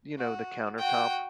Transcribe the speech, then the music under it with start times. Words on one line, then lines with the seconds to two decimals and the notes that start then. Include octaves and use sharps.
you know, the countertop
0.17 F#4
0.78 F#4 G5